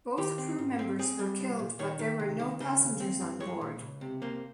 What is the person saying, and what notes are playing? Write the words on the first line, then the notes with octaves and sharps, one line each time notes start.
Both crew members were killed, but there were no passengers on board.
D#3 G4
C4
G#2
C4
C4 G#4
G3
C2
A#2
D#3 C#5
D#3
C3
D#3
C#3 C5
D#2
C4
G2
G#3 C#5
A#2
C#2
C3
A#3 C5